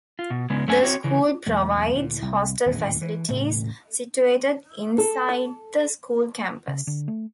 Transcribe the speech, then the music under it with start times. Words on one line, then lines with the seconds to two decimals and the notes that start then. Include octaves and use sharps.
The school provides hostel facilities, situated inside the school campus.
0.19 F4
0.30 B2
0.50 C#3 G#3 B3
0.68 F#2 A3 C4 C#4 G#5
0.81 C4 F#4 C#5
1.04 C#3 E3
1.46 B1 E2 G#3 A3
1.92 D2 A#2
2.22 C2
2.66 D#1 A1 E2 E3
3.01 E3
3.29 E1 A2 C#3 A3
4.98 A4
6.68 C#3
6.87 D3
7.08 A3